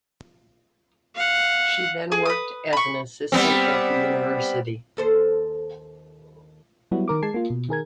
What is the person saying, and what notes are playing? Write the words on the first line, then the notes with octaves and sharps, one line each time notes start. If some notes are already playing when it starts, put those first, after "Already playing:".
She then worked as an assistant at the university.
F5 F#5
G#4
B4 D#6
B5 C#6
G3 B3 C4
D#2 A4 C5
F#3 G3 B3 E4 F#4
D#3 A#4 D6
G#3 A5 G#6 C7
A#3 F4
B2
D#3 G#4 A#4 G#6